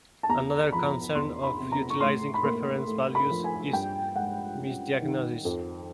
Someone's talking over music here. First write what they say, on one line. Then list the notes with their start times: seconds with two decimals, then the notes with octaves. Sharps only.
Another concern of utilizing reference values is misdiagnosis.
0.23 A5
0.29 E2 A#5
0.72 F3 B5
1.15 E2 C6
1.43 B5
1.59 C3
1.72 A#5
1.90 C#6
2.01 A2 C6
2.34 B5
2.44 A#3 C6
2.87 A2
3.15 B5
3.30 F3
3.44 G#5
3.73 G2 G5
4.15 G#3 F#5
4.59 C#4
5.01 D#3
5.45 F2